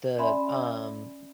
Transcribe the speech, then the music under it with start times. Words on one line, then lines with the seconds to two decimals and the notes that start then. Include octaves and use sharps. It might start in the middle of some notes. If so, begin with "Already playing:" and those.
the, um
0.18 C#4 D5 E5 G#5 B5 C6